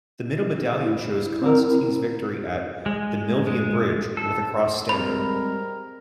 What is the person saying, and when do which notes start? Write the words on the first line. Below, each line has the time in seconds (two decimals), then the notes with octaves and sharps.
The middle medallion shows Constantine's victory at the Milvian bridge, with a cross standard.
0.82 E4
1.42 C4 A#4
2.86 G#3
3.47 G#3
4.17 A4
4.89 G3 G#3 C4 A#4 B5